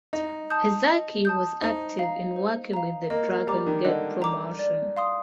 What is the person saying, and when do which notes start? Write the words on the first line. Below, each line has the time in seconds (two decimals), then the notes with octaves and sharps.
Ezaki was active in working with the Dragon Gate promotion.
0.13 D#4 D#5
0.50 A5 D#6 G6
0.88 D#5
1.25 A5 D#6 G6
1.62 D#4 C5
1.99 F5 A#5
2.36 C5
2.73 F5 A#5
3.10 A#3 D#5
3.29 A#3
3.47 G3 A#5 D6
3.67 D#3
3.85 D3 D#5
4.22 A#5 D6
4.59 D5
4.97 F5 C6 D#6